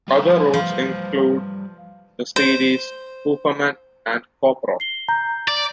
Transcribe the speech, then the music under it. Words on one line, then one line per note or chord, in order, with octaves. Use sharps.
Other roles include the series "Hooperman" and "Cop Rock".
G3 B4 C5
F3
C5
C7 G7
A#5 G6
D5